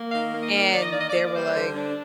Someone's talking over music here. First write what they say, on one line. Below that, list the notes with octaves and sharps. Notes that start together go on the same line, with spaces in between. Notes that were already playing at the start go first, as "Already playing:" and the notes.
and they were, like,
Already playing: A#3
D#3 F5
A#3
D#5
D#3
D#3 D5
D#5
A#3 D5
D#5
D5
A#3
D5
G3 C5
D3
D4